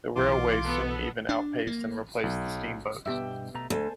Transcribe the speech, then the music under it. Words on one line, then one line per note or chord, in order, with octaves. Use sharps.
The railways soon even outpaced and replaced the steamboats.
B1 E3 F4 C6 D6
B3 A4
D4
A#3
B1
G2 B2 B3 G4 E5 G5
B2 A3 A#5
D2 C5 G#5 A5